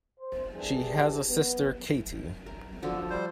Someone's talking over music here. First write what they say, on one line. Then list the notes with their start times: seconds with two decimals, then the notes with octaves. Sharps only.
She has a sister Katie.
0.19 C5
0.54 C2 E3 G3 D4 G4 G#4
1.28 B3
2.46 A#4
2.82 D3 F3 F#4 A4
3.10 G3 C5